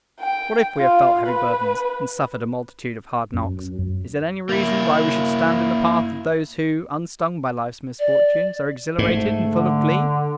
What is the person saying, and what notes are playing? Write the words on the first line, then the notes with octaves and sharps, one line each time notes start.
What if we have felt heavy burdens, and suffered a multitude of hard knocks, is it any reason why we should stand in the path of those who, unstung by life's misfortunes, are exhilarated and full of glee?
G5
F4
B4
F#2
A#3 E4
D5
G#2 A3
D3